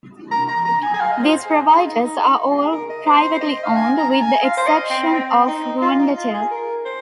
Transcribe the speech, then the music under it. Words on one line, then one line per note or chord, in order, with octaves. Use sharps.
These providers are all privately owned, with the exception of Rwandatel.
A#5
A#5
A#5
G#5
G#5
F5
D#5
C5
G#4
D#4
F4
D#4
D#4
D#4
F4
G#4
A#4
D#5
C5
C5
D#5
F5
G#5
A#5
A#5
G#5
F5
C5
D#5
C4
C4
D#4
F4
D#4
F4
G#4
A#4
C5